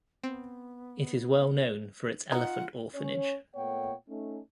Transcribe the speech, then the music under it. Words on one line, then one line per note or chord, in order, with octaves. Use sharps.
It is well known for its elephant orphanage.
B3 C4
D#4 F4 F#5
C#4 C#5
A#2 A3 B3 C#5 F#5 G5
A3 C#4 D#4